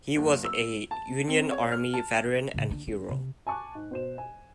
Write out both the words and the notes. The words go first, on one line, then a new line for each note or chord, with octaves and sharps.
He was a Union army veteran and hero.
F#1
E6
A5
C4
C#5
F6
A5
A2 C#3
D3 D4
C#4
C3
G#5 A5 C#6 D6 F#6
G#2
B2 C5 E7
G#5